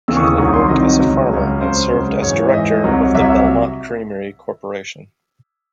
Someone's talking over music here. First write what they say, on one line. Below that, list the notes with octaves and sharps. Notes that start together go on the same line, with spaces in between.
Cannon worked as a farmer and served as director of the Belmont Creamery Corporation.
D#2 C#3 E3 E6
C#6
D#6
C2 C3 D#3 F#3 C#6
C6
C2 C3 D#3 F#3 D#5
C#2 C#3 F#3
C#2 C#3 F#3
C#2 C#3 F#3 C5
C#2 C#3 F#3
G#2 E3 C#5
E5
G#2 E3 D#5
C2 C3 F#3
C2 C3 F#3 E5
E5